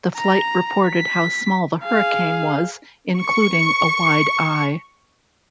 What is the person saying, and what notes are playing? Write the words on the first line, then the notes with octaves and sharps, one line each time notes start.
The flight reported how small the hurricane was, including a wide eye.
A#5
B6
G#4 F5
C#6 C#7